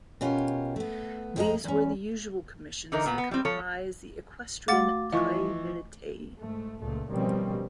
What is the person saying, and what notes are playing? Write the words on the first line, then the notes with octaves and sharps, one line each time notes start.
These were the usual commissions that comprise the equestrian "tres militiae".
B2 C#4 F4 G4 A#4
A3 B3
F2 F3 G#3 B3 D#5 A#5
E2 C#4
D3 E3 D#4 A#4
A#2 B3
B3
G3 C4
F3 A4 C#5
A3 F#4 F5 F#5 D6 A6
E3 F3 D#5 F5 C#6
G#2 A3
C#2 A#2 A3
B2 D#3 F3 G3 C4 C#4